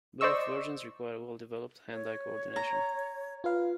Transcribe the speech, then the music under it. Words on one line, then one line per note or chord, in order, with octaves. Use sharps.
Both versions require well-developed hand-eye coordination.
C5 D5 D#5 C#6 E6
C#5
A#5
F4 B4 F5